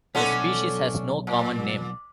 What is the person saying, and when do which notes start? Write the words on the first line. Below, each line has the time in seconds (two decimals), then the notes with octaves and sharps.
The species has no common name.
0.15 B1 C#4 D4 A4 F#5 C6
1.27 A#2